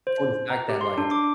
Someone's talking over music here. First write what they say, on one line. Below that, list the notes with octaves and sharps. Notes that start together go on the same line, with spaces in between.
for the fact that, like,
C5
A#5
G4
C6
D4
D6